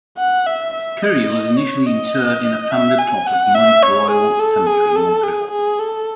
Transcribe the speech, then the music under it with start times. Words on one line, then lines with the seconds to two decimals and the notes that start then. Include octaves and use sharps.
Currie was initially interred in a family plot at Mount Royal Cemetery in Montreal.
0.18 F#5
0.47 E5
0.74 E5
1.03 D#5
1.58 C#5
1.87 D#5
2.71 E5
2.99 G#5
3.27 F#5
3.55 E5
3.83 C#5
4.11 G#4
4.39 A4
4.67 G#4
4.96 A4
5.24 G#4
5.52 G#4
5.79 A4